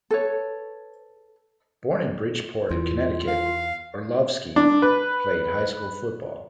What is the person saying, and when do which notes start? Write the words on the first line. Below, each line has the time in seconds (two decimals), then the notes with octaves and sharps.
Born in Bridgeport, Connecticut, Orlovsky played high school football.
0.11 A4 B4 C#5
2.71 E2 F4
3.28 F5
4.56 D4
4.82 B4